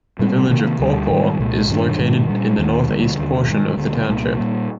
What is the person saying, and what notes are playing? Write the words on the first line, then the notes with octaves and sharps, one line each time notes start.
The village of Paw Paw is located in the northeast portion of the township.
A#2 G3 C4
C3 D#3 A#3
D2 D3 G3
G#2 D#3 G3
C2 A#2 G#3
G2 D#3 G3 D4
G#2 D#3 G#3 D4
A#2 G3 D4
D#2 D#3 A#3 D4
D2 D3 G3 A#3
D#2 D3 G3
G#2 D#3 G#3
D2 D3 G3 A#3
C2 A#2 G3 A#3
A#2 G3 A#3